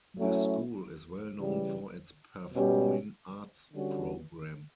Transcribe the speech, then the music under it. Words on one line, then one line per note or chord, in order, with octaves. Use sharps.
The school is well known for its performing arts program.
F#3 A3 C#4 E4
C#3 E3 G3
B2 G3 C#4 G4
D3 G3 C#4 F#4